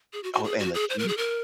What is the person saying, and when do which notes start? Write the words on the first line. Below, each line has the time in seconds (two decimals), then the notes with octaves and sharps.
Oh, and the cheese.
0.13 G#4
0.23 F#4
0.34 F#4
0.44 G#4
0.59 F#4
0.74 G#4
0.90 C5
0.99 A#4
1.08 G#4
1.17 A#4